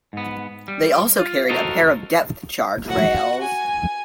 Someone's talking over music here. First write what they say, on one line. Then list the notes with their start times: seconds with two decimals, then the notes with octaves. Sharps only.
They also carried a pair of depth charge rails.
0.13 G#2 B3
0.68 G3
1.19 F4
1.49 F#4 A4 A#4 C5 D#5
2.88 F#4 F#5
3.41 G#5